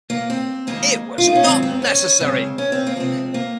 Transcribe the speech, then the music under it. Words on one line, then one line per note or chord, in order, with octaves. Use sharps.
It was not necessary.
A#3
C4
F2 D#3 G#3 A#3
F4
D#4
C#4
G#2 D#3 F#3 C4
C4
C#4
F#2 C#3 G#3 C4
C#4
C4
A#3
C3 F3 G#3 C4
A#3